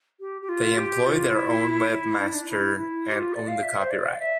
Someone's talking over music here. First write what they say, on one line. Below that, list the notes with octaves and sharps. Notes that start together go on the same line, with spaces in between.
They employ their own webmaster and own the copyright.
G4
G4
F4
G4
F4
E4
E4
D4
E4
D4
E4
E4
G4
F4
D5
F5
E5
C5
D5
F5
E5